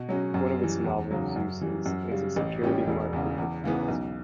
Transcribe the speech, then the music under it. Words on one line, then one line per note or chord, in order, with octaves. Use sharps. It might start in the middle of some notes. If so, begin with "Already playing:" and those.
One of its novel uses is a security marker for fuels.
Already playing: B2
F#3 C#4 F#4
F#2
E3 G3
E2
C#3 F#3
F#2
E3 G3
F#2
C#3 G3
A1
A2 G3 C#4 G4
E1
E2 C#3
E2
C#3 E3 B3
B1